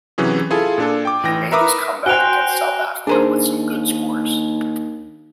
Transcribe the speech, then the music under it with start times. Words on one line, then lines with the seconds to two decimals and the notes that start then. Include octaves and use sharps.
He made his comeback against South Africa with some good scores.
0.18 C3 E3 F#3 C#4 G#4
0.50 E4 F4 G#4 A4 G#5
0.78 A#2 D4 A4
1.05 G5 D6
1.23 A1 E3 G5 A#6
1.52 A#4 B4 E5 A#5 D6 D#6
2.06 F#4 C5 G5 G#5 F#6 D7 F7 G7
3.07 D#2 D4 G#4 A#4 C5 G#5 A#5